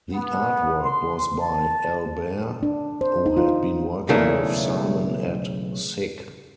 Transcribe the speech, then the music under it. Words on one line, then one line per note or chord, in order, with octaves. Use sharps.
The artwork was by Al Bare, who had been working with Simon at "Sick".
B3
C6
A5
D4
C5
D#4
F4
B1 C#3 E3 A3 A#3 D4